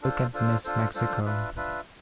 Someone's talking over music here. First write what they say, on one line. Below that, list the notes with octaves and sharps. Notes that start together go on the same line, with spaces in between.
Look at Miss Mexico.
D4 F4 A4 C5
D4 F4 A4 C5
D4 F4 A4 C5
D4 F4 A4 C5
D4 F4 B4 E5
D4 F4 B4 E5